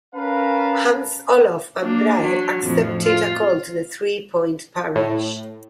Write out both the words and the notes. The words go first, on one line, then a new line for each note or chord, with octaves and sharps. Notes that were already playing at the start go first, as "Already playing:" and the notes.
Hans Olof Andrae accepted a call to the three-point parish.
C#4 A#4 B4 F5 A5
A#3 D4
F#3
F2 A2 F3
F4
A2